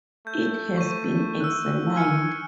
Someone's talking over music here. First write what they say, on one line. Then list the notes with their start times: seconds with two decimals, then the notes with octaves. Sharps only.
It has been examined.
0.27 A3 G6
0.77 C#6 D#7
1.40 E6 F#6
1.96 G#5 F6 C#7